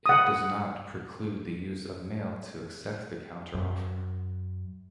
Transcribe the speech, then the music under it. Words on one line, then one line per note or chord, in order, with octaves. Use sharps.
It does not preclude the use of mail to accept the counteroffer.
F#5 D#6
F#2